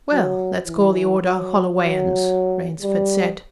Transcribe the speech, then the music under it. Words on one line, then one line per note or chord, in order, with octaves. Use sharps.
"Well, let's call the order Hollowayans," Rainsford said.
F#3
E3
F#3
F#3
G3